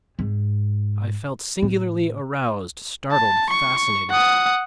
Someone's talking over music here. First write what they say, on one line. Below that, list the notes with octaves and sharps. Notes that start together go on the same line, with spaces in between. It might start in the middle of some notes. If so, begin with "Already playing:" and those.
I felt singularly aroused, startled, fascinated.
G#2
A2
A5
C#6
F#5 D#6